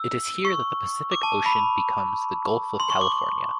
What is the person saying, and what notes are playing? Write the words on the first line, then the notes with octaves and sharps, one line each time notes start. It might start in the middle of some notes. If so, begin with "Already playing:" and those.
It is here that the Pacific Ocean becomes the Gulf of California.
Already playing: E6
C#6
D6
A5
B5
C6
C#6
D6
D6